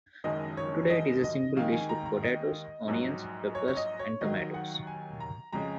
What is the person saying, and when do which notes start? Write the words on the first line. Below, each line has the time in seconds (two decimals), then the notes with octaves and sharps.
Today it is a simple dish with potatoes, onions, peppers, and tomatoes.
0.24 F#1 F#2 D#3 G#3 D#5
0.57 C#5
0.90 D#5
1.24 D#5
1.56 D#2 D#3 G#3 F5
1.72 G#5
1.89 A#5
2.06 A#5
2.23 D#5
2.88 A#1 G#2 F#3
3.55 C#5
3.68 C#5
3.77 D#5
3.99 C#5
4.21 D#2 D#3 F#3 D#5
4.54 F#5
4.87 G#5
5.20 A#5
5.52 F2 C#3 G#3 A#5